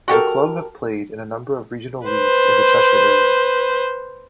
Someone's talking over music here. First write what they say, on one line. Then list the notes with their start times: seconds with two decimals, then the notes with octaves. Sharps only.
The club have played in a number of regional leagues in the Cheshire area.
0.08 F#4 G4 A4 A#4
2.07 B4 C5